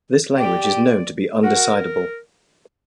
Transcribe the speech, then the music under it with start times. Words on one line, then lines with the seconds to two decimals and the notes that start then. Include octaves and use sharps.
This language is known to be undecidable.
0.38 G4 D5
1.44 F#4 A#4